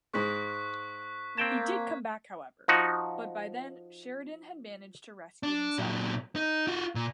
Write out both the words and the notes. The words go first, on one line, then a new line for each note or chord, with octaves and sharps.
He did come back however but by then Sheridan had managed to rescue himself.
G#2 G#3 C#6 F#6 B6
A#3 C4 G5 A5 G#6
F3 D#4 F#4
D4
A#2 F#3
D#4
F4 F#4
A#2